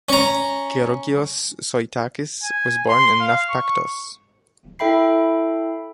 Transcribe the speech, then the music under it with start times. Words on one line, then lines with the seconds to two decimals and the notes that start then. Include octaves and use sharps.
Georgios Zoitakis was born in Nafpaktos.
0.09 C#4 A#5
2.44 G#5
2.89 C6
3.21 F5
3.50 C#6
4.79 E4 A4 E5 G5 B5 C7